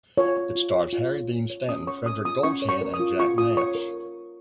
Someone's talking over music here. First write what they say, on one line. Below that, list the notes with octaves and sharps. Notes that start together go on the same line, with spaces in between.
It stars Harry Dean Stanton, Frederic Golchan and Jack Nance.
F4 C#5
C#5
F4
C#5
F4
C#5
F4
C#5
C#4 D#6
C#5 C#6
A#4 D#6
F4 D#6
C#4 C#6
C#5
C#6
A#4
D#6
F4
F4 C#6
F4 D#6
C#5 C#6
A#4